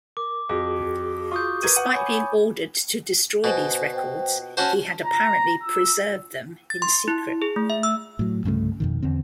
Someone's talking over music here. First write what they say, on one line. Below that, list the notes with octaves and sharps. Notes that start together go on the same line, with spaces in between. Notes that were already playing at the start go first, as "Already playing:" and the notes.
Despite being ordered to destroy these records, he had apparently preserved them in secret.
A#4 D6
F2 F#4 G#4 D6
F4 C#6 D#6 G6
A#4 B4 G#6 D#7
F#5
C#5 G#5 B5
B2 C5 G#5
C5 G5
C#4 F#4 C5 A5
A#5
E6
A6
C6
E4
G#4
A3
E5
E6
A2 F#3
C2 G2 C#3 A3
F2 B2 D#3
E2 D3 C4